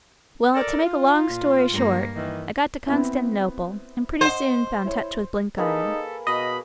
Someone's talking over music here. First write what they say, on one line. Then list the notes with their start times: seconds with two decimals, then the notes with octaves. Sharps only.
'Well, to make a long story short, I got to Constantinople, and pretty soon found touch with Blenkiron.
0.53 A4 A#4 D5
0.84 F4
1.29 A#2
1.71 G2 A#3
2.14 D#3 E3
2.87 B3 C4 E4
4.21 C5 D#5 F#5
4.85 E4 C#5
5.58 A#3 D#4 G#4 A4 B4
6.27 B2 D#5 B5